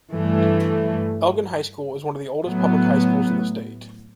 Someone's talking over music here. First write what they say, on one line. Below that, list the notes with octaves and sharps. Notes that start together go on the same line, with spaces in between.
Elgin High School is one of the oldest public high schools in the state.
G2 E3 A3
A2 F#3 B3